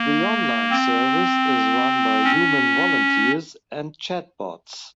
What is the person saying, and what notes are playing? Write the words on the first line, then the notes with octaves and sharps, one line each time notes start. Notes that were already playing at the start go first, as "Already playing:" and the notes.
The online service is run by human volunteers and chatbots.
Already playing: A#3
C4
C#4